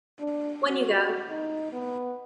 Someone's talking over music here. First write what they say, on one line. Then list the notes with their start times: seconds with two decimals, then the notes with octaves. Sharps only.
When You Go!
0.20 D4
0.68 F#4
1.30 D#4
1.73 B3